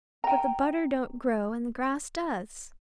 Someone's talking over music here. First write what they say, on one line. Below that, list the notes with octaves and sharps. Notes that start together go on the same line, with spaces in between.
But the butter don't grow, and the grass does.
G5 A#5